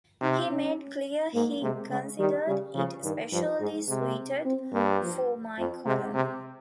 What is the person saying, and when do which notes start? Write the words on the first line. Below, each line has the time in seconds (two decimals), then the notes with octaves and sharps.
He made clear he considered it especially suited for my column.
0.21 C3 D#4
0.49 C#4
1.34 G#2 A#3
1.62 C3 G#3
1.90 C#3 G#3
2.19 D#3 G3
2.47 C#3 G3
2.75 C#3 F3
3.04 G2 D#3
3.32 G2 F3
3.60 G#2 G#3
3.88 C3 G#3
4.45 C4
4.73 G2 A#3
5.01 F3
5.58 F2 F3
5.86 C3 G#3
6.14 C3